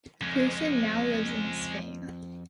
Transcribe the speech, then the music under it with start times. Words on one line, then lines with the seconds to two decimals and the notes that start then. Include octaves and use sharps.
Pearson now lives in Spain.
0.22 F2 G#3 C#4